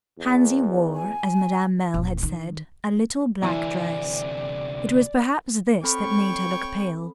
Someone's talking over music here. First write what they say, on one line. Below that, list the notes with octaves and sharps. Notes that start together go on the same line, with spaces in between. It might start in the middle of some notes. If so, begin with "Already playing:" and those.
Pansy wore, as Madame Merle had said, a little black dress; it was perhaps this that made her look pale.
E2
G#5
D#1
D#3
D2 C3 E3 D5
C4 A4 C#5 G5 B5 C#6